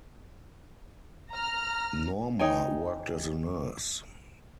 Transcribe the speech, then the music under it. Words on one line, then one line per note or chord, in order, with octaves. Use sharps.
Norma worked as a nurse.
A#5 F6
D#4 C#5 G5 G#5